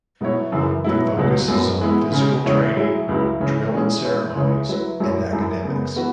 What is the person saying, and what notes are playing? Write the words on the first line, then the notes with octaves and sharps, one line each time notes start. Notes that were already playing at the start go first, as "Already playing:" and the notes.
The focus is on physical training, drill and ceremonies, and academics.
B2 F#3 E4 C#5
F#2 C#3 E3
B2 F#3 E4
C#2 B2 F#3
F#2 F#3 B3
E3 G#3 B3 E4
C#3 G#3 C#4
E2 C#3 G#3 E4 C#5
F#3 E4 G#4
C#2 C#3 F#3 E4
C#3 E3 C#4
E3 G#3 C#4 G#4
E3 G#3 E4 C#5
C#2 C#3 G#3 E4 C#5
F#3 E4 B4
F#2 F#3 E4 C#5
F#2 F#3 E4
F#2 C#3 G#3 B3
E3 B3 F#4 B4